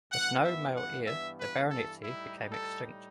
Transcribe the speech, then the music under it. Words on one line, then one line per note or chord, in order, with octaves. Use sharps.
With no male heir the baronetcy became extinct.
G2 E3 B3 F#5
E5
F#5
E5
B4
A4
A2 G3 D#4 E4
A4